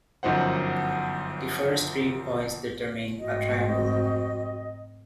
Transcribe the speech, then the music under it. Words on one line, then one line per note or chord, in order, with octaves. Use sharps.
The first three points determine a triangle.
G1 F#2 F3 D#4 C5 F#5
F1 G#2 C4 F#4 D#5